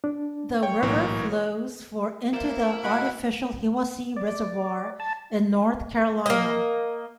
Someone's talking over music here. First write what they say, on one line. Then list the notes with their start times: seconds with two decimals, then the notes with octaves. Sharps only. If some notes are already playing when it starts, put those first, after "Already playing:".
The river flows for into the artificial Hiwassee Reservoir in North Carolina.
0.04 D4
0.63 C#5 G5
0.82 B1 A2 E3 A#3
2.33 A#3 E4 C5 D5
2.83 B2 D5 D#5 F#5 B5
4.17 D5
5.00 A5
6.26 A#3 D#5